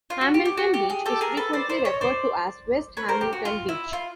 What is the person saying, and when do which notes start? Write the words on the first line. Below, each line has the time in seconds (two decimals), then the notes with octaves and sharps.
Hamilton Beach is frequently referred to as West Hamilton Beach.
0.10 F4
0.21 F#4
0.34 G4
0.45 G4
0.57 F#4
0.74 G4
0.90 G#4
1.06 G4 A4
1.21 G#4 A#4
1.37 A4 B4
1.53 C5 D5
1.69 C5 D5
1.85 C#5 D#5
2.01 C5 D5
2.97 B4 C#5
3.09 A#4 C5
3.21 G4
3.33 F#4
3.45 F4
3.69 E4
3.93 F4